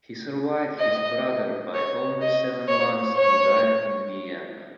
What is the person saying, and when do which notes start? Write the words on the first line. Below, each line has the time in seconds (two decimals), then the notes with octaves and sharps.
He survived his brother by only seven months and died in Vienna.
0.79 D#5
1.74 C#5
2.21 D#5
2.68 C#5
3.15 C#5